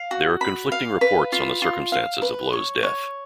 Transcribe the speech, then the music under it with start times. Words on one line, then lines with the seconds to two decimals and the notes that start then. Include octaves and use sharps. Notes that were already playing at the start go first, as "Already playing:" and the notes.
There are conflicting reports on the circumstances of Low's death.
Already playing: F5
0.11 F#4
0.41 B5
0.72 F5
1.01 B4
1.32 F4
1.62 F4
1.92 F5
2.22 B4
2.53 C#5
2.83 C#5